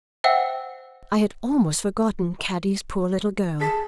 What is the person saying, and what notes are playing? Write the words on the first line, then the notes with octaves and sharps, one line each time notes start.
I had almost forgotten Caddy's poor little girl.
C5 E5 F#5 G5 E6
G#4 A5 B6